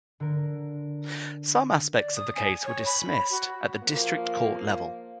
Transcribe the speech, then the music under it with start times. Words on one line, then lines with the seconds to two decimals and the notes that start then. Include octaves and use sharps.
Some aspects of the case were dismissed at the District Court level.
0.20 D3 A#4
1.95 D5
2.16 D#6
2.35 G#5
2.65 C#5
2.85 B5
3.30 F#4
3.83 F3 A#3